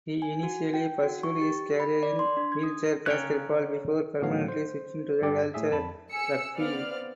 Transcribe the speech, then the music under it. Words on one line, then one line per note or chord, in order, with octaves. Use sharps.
He initially pursued his career in wheelchair basketball before permanently switching to wheelchair rugby.
G#5
F#4
G5
F#4
C#6
G4
B5
D5
C6
D4
G#6
D#6
C#3 A#3 C#4 C#5 G5 F#6
A2 D3 E3 F#3 B3 F5
C5
G2 D3 D4 G4 D5 G5
A2 G#4 E5
F2 A5 B5
G#4 E6 C#7
B3 C4 C5 D5 F5 F6